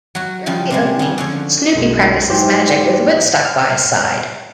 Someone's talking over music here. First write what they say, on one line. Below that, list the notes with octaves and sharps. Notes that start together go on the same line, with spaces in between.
During the opening, Snoopy practices magic with Woodstock by his side.
F#3 F#4
C#3 F3 G3
C3 G3 G#3
C#3 G#4
D3 F3 C#5
B1 F#2 G#3
G#2 E3 G4 C5
F6